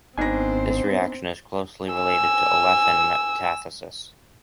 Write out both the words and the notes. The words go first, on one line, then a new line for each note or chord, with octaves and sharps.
This reaction is closely related to olefin metathesis.
G#1 B3 C4 D4 D#4 C5 G#5 A#6
G#5 E6